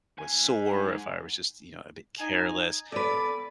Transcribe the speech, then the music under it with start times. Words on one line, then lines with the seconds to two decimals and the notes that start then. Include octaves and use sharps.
was sore, if I was just, you know, a bit careless,
0.18 G#2 G#5
2.19 D#4 G#5
2.92 E2 A4 B4 D5